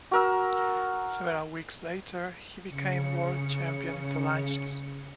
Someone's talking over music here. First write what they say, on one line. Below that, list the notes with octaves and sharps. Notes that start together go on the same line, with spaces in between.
Several weeks later he became world champion in Salanches.
F#4 A#4 E6
C#3 C#7